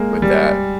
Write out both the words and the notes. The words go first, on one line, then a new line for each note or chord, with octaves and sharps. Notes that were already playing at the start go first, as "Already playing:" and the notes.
with that.
Already playing: G#3 A#3
G3